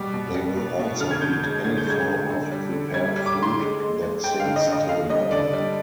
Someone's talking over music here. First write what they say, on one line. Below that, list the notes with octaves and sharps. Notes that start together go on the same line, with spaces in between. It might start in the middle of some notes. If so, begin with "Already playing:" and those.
They will also eat any form of prepared food that sinks to the bottom.
Already playing: B2 G3 D6
B2
G3
B2
B2
D3 F6
G#6
D3 G6
G#3 G#6
D3 G#6
G6
G#3 G#6
D3
D3
G3
D3
G3 G#6
G3
D6
D3
C6
G#3
G#3
G#3
G#3 G5
F5
D3
D#5
D3
D#5
D3 F5
G3 D#5
D3 D5
G3